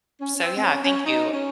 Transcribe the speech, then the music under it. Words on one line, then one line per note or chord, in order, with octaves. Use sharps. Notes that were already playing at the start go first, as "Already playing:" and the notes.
so, yeah, thank you.
C#4
C#4
C4
C4
C#4
C#4
D#4
C#4